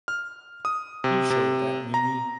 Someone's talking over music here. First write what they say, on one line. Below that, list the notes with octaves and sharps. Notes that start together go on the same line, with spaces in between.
He showed that meanie!
F6
D#6
C3
C3
A#5